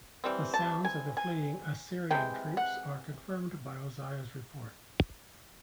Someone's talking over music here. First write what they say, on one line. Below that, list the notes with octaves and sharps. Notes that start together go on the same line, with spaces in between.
The sounds of the fleeing Assyrian troops are confirmed by Ozias' report.
E3 G3 C4
A5
G#5
G#5
C3 E3 G#3 G5
F#5